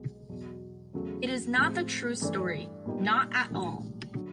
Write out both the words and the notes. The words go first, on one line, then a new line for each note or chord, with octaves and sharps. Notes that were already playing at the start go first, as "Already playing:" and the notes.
It is not the true story, not at all.
Already playing: B1 B2 G#3 B3
E2 B2 F#3
E2 C#3 F#3 A3
A2 F3 G#3 C4
G2 E3 A3 D4
A#2 G3 B3 D#4 G4
A#1 A2 E3 G3
D3 F#3